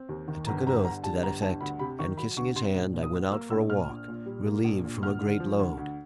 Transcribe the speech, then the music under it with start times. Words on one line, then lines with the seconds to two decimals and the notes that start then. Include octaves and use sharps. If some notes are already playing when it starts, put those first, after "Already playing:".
I took an oath to that effect, and kissing his hand, I went out for a walk, relieved from a great load.
Already playing: C4
0.09 D#2
0.28 D#3
0.47 G1 A#5
0.67 G2 A#5
0.85 D3 A#5
1.04 G3 A5
1.23 G1 A#5
1.42 G2 A5
1.61 D2 B5
1.79 C3 B5
1.99 D#3 C#6
2.17 F#3 B5
2.37 D2 C#6
2.55 C3 C6
2.75 A#1
2.94 A#2
3.03 D#6
3.13 F#3
3.31 A#3 E6
3.50 A#1 E6
3.69 A#2 F6
3.89 A#1
4.08 A#2
4.26 G3
4.46 A#3
4.64 A#1
4.84 A#2
5.02 D2 F6
5.21 D3
5.40 F3
5.59 D2
5.77 D2